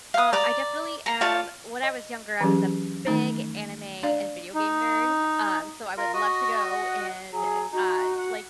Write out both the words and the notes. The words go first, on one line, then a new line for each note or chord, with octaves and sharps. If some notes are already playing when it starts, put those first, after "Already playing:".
Uh, I definitely am When I was younger, I was a big anime and video game nerd, um, so I would love to go and, uh, like,
F5 D#6
D5 A#5 D6
A#5
F4 C#5 D5 A5
D#5
E3 F#3 C#4 G4 G#4
D#3 A3 D#4
D4 D5 F5
D#4
F4 A#4
F#4 D#5 C#6 D#6
F#5
F#3 G#4
D#4 F#4
F#5